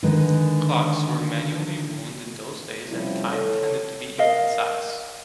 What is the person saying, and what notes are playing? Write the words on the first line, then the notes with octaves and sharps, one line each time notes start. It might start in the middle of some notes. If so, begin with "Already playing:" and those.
Clocks were manually wound in those days and time tended to be imprecise.
D3 D#3 G#3 B4 D#5
C3 F3 G3 A3 C#4 E4
A4 C#5
A#4 D5 D#5 F5